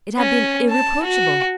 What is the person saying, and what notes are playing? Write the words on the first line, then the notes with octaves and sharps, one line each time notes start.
It had been irreproachable.
C#4
A5
F#4